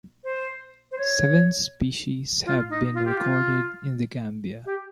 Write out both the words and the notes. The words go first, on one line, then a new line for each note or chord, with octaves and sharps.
Seven species have been recorded in the Gambia.
C5
C5
C#5
F4
D#4
F4
G4
F4
G4